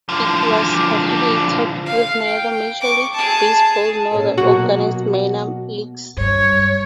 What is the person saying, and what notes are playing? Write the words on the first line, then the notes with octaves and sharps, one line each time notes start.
It was affiliated with neither Major League Baseball nor the organized minor leagues.
D3 F3
F5
G5
C#6 D6
G#4 A5
A#2 C#4 A4
B2 F#3 A#3 F#4
G2 C#5